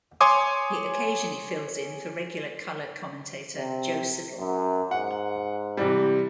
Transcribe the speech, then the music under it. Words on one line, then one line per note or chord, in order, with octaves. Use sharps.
He occasionally fills in for regular colour commentator Joe Siddall.
C#5 G#5 C6 D6 D#6
C3
F#2
G#2 F#5
C3 E3 G3